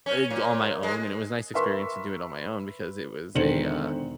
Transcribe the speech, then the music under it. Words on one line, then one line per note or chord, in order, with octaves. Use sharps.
uh, j on my own, and it was a nice experience to do it on my own, because it was a, uh
C#4
A#2
G#3
A#4 B4 E5 C6 C#6
E1 D3 D#3 C5 C#7 F#7